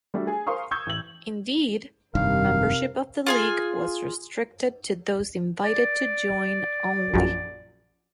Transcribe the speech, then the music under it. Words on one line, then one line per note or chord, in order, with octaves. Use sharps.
Indeed, membership of the League was restricted to those invited to join only.
G3 A3 D4 F#4
G#4 G#5
A#4 C5 F5 C6 C#6 D#6
C#6 D#6 E6 G6 G#6
A1 F#7
F1 G2 C3 D#3 A#4 F5
F4 G#4 G#5
D5
A#1 F#2